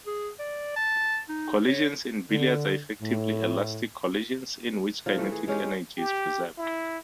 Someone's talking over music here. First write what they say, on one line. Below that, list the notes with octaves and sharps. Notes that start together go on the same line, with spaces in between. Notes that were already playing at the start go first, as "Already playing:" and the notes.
Collisions in billiards are effectively elastic collisions, in which kinetic energy is preserved.
G#4
D5
A5
D#4
C#5
D3
A2
F3 D#4
E3 A3
G#4
G#3 C#4 D#4 G4
G4
G4
E4